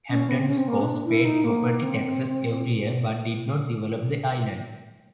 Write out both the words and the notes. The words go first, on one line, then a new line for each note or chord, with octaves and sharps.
Hampton Scows paid property taxes every year but did not develop the island.
C#4
B3
C4
C#4
C4
A#3
D4
E4
D#4
A#3
C4